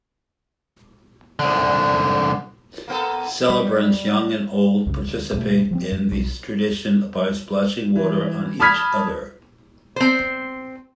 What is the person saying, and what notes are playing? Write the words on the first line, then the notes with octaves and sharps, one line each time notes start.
Celebrants, young and old, participate in this tradition by splashing water on each other.
C2 D3
A#3 B3 A4
G3
C2 F#2 C#3
D2
D2 B2 D#3 A3
F3 F#3 C4
F#2
B1
E3
A5 B5 D#6 F6 G#6 B6
C4 C5